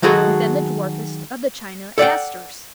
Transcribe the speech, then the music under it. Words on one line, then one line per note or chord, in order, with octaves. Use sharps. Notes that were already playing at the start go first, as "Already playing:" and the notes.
And then the dwarfest of the China Asters.
D#3 F#3 G#3 F#4 G#4 A4
A4 D5 F#5 G5